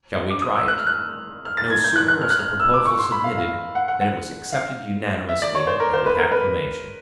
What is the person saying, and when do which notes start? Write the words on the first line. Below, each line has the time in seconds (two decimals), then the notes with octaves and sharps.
"Shall we try it?" No sooner was the proposal submitted than it was accepted unanimously and with acclamation.
0.30 D6
0.42 D#6
0.55 E6
0.68 F#6
0.78 F6
0.87 F#6
1.45 F6
1.57 A6
1.70 G#6
1.84 G6
1.96 F#6
2.08 F#6
2.21 F6
2.30 F#6
2.39 F6
2.60 E6
2.74 D6
2.85 C#6
2.99 C6
3.12 B5
3.24 F5
3.38 F5
3.75 F#5
3.88 F#5
4.01 F#5
4.52 F5
5.29 E5
5.42 D5
5.55 C#5
5.67 C5
5.80 A#4
5.93 C5
6.06 B4
6.18 A#4
6.32 B4